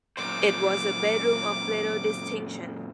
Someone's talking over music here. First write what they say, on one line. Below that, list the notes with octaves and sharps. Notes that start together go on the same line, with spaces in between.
It was a bedroom of little distinction.
F#2 A#2 C5 D6